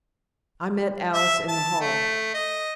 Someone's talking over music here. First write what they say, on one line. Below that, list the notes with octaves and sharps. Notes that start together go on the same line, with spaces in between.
I met Alice in the hall.
E5
A5
A3
D#5